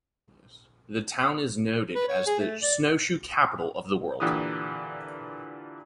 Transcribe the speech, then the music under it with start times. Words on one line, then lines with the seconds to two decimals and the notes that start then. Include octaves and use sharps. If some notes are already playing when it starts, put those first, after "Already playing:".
The town is noted as "the snowshoe capital of the world".
1.95 B4
2.08 C#5
2.27 G#4
2.40 A3
2.62 D5
4.20 A#2 D3 E3 G4 D#6